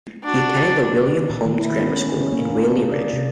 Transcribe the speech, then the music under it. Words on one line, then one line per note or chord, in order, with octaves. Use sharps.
He attended the William Hulme's Grammar School in Whalley Range.
D4 F#4
A#2
D#3
E4
B3
C#4
E4
C#4
A#3
D4
G#4
D5
C3